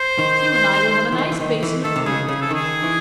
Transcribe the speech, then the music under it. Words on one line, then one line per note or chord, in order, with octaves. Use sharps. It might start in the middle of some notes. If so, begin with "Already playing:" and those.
You and I will have a nice basin of gruel together.
Already playing: C5
D#3
E3
D#3
E3
D#3
E3
D#3 A4
C3
C#3 G#4
C#3 G#4
A4
D#3 G#4
E3